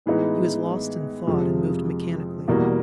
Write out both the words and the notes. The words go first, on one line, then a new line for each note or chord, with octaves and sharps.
He was lost in thought and moved mechanically.
A2 E3 G#3 B3 D#4
F2 C3 F3 G#3
E2 B2 G3 A#3